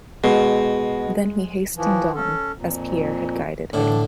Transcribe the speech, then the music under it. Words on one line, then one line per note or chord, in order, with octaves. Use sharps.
Then he hastened on, as Pierre had guided him.
B2 G#3
E3 F3
C#4 A4
F2 A#2
A2 D3 D4